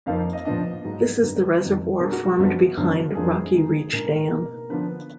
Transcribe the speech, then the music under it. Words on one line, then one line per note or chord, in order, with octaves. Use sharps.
This is the reservoir formed behind Rocky Reach Dam.
F2 F3 A#3 D#4 F5
D#5
A#2 F3 B3 D4 D#5
G#2 F#3 B3
F#2 D3 F#3 B3 D#4 B4
F2 D#3 F#3 B3
B2 A#3 D4 G#4
F#4
F#4
F#2 F3 B3 D4
F#2 D3 F3 B3 D4
F2 F3 A#3 D4 G#4
D#3 G#3 B3 D#4
A#2 G#3 D4 A#4
B4
A#4
B2 A#3 D#4
D3 F3 B3 D4 B4